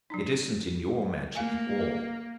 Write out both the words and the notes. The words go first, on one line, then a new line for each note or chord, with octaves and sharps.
It isn't in your magic at all.
F#3 D4 D#4
A3 A#3 F5 G#5